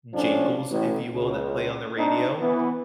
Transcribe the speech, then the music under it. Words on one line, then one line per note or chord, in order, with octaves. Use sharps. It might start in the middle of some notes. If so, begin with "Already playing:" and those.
jingles, if you will, that play on the radio,
A2 F3 C#4 D4
A1
C#2
C4 D4 D#4
E3 B3